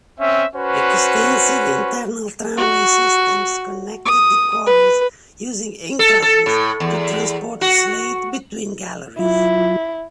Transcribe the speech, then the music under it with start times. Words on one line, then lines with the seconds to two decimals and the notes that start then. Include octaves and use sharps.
Extensive internal tramway systems connected the quarries using inclines to transport slate between galleries.
0.20 C4 C#4 E5
0.56 C#4 F#4 B4 C5
2.57 F#4
4.06 D#6
4.66 B4
5.99 A4
6.22 A4
6.46 A2
6.80 E2
7.61 F#4
9.19 F#3 E4 F4